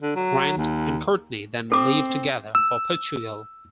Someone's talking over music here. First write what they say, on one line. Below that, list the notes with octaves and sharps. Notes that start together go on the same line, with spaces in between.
Grant and Courtney then leave together for Portugal.
D3
F#3
D#2
C4 A4 D6
E6